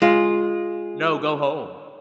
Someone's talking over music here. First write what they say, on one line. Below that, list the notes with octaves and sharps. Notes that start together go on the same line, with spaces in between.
"No, go home.
G#3 F4